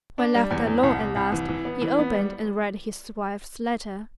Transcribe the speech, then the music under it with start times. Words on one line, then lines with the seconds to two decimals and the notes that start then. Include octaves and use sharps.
When left alone at last he opened and read his wife's letter.
0.18 D4
0.35 G3
0.51 E2
0.67 E2
0.83 C2
1.00 C2
1.16 C2
1.32 E3
1.49 E3
1.65 B3
1.82 E3
1.98 B3
2.15 G3